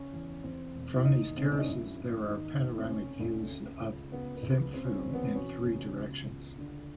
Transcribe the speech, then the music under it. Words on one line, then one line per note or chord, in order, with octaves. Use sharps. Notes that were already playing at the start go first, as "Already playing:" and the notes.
From these terraces there are panoramic views of Thimphu in three directions.
Already playing: C#3 C#4
E2
E2 C4
E1
E4
D#2 D#4
E1 C4
C#4
D4
D#4
F#2 E4
G#1
D#2 D#4
F1
C4
C#3 C#4
D2
C#3
C#2
C#3 B3
B3
C#2
C#3 C4
C#4
C4
E2
B3
C4
B2 C#4
C#2
C#3
C#2
D3